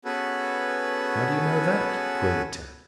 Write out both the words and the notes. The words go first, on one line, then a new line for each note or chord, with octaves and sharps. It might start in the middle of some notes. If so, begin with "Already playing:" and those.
"How do you know that?" queried Tad.
B3 C#4 F#4 G#4 A4 B4